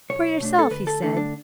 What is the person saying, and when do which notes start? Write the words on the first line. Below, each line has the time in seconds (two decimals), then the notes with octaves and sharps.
'For yourself,' he said.
0.10 B1 C#5
0.40 B2 A3 D4
0.59 A4
0.70 D2 B4
0.87 A4
1.02 D3 A3 D4 A4
1.17 D4